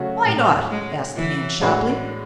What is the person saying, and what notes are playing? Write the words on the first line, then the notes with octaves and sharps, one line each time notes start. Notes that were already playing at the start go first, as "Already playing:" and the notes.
"Why not?" asked the man sharply.
Already playing: C#3 F#3 A3 C#4 F#4
A2
G#3
E3
A2 G#3 D4 F#4